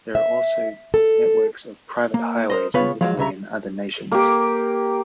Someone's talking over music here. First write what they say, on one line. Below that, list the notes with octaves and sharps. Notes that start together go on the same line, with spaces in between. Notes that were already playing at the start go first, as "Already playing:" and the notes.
There are also networks of private highways in Italy and other nations.
E5
A4
A#3
A#4 C5 D#5
C#3 B3 F4 B4 C#5
F3 F#3 G#3 F5
C#2 C#3 E5 A#5
A#3 G4